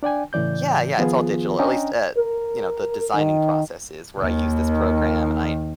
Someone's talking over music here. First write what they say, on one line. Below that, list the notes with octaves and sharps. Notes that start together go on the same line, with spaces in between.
Yeah, yeah, it's all digital. At least, uh, you know, the designing process is where I use this program and I
D4 D5 G5 G#5
A2 C#3 E3 D5 G6
D#3 F3 B3 F4 G#4
C#4 D4 D#5 G5 G#5 A#5
A#4
D#3
D#2 D#3